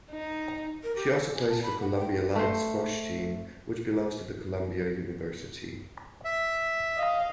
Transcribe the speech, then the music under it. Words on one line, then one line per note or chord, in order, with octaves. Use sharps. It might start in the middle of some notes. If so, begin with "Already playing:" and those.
She also plays for Columbia Lions squash team which belongs to the Columbia University.
D#4
A#4
G4
A4
G#5
A5
B5
F#5
G5
A3 C5
E5
D#5 F5